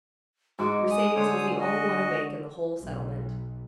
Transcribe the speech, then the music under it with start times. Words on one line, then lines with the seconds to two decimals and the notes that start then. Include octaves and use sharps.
Mercedes was the only one awake in the whole settlement.
0.59 G#2 F#4 F#5 D6
0.90 G#5 D#6
1.16 D3 C5 C#5 D#6
1.61 F#4 D#5
2.81 B1